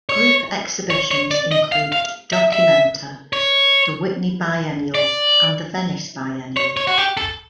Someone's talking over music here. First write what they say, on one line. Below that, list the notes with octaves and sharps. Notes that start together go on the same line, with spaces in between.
Group exhibitions include Documenta, the Whitney Biennial, and the Venice Biennale.
C#5
C#5
C#5
D5
D#5
F5
F5
E5
E5
C#5
D5
C#5
C#5
F#4
G4
A4